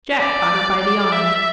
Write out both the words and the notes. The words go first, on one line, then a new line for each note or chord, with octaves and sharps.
Jack caught her by the arm.
D5
D5
E5